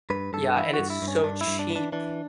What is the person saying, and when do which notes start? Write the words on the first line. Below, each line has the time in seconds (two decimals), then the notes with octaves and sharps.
Yeah, and it's so cheap.
0.10 G2 B4
0.33 G2 A4
0.56 E3 E4
0.74 G2 F#4
0.90 E4
1.02 G2
1.08 C#4
1.24 G2 D4
1.41 E4
1.47 G2
1.59 D4
1.70 E3
1.76 D4
1.92 E3 D4